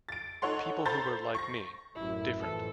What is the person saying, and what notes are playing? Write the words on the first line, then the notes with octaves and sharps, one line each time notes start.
People who were like me, different ...
A6 D7
D#4 A4 C#5 F#5 C6
A4 C5 A#5 B5 G6 A6
C#6 A#6
A1 F#2 E4
F2 A2 E3 A4